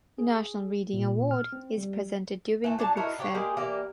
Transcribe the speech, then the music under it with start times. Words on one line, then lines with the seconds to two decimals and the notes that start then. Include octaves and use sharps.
The National Reading Award is presented during the book fair.
0.18 G#4
0.94 A#2
1.31 F6
1.53 C4
1.78 G3
2.64 E3 A3
2.79 F#3 D4 A5
2.97 D#4 E4 F#4 A#4
3.19 D3 G4 A4 C#5
3.34 G#3 A#3 G4 G#4
3.57 E3 A#3 G4 D5